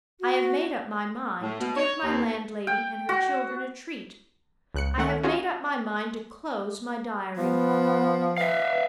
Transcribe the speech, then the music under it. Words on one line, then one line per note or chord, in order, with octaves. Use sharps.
I have made up my mind to give my landlady and her children a treat; I have made up my mind to close my Diary.
F#4
A2
B2
C#5
D#2
G5
F#4
C#2 F#6 C#7
D#3 A3 F#5
C#4 F4 F#4 G#4
F3 B3
B4 E5 F5